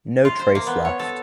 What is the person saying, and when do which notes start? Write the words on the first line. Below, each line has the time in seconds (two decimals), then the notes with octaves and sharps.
No trace left.
0.25 F4
0.39 C5
0.55 A#3
0.67 B3
0.85 C#5
0.99 A4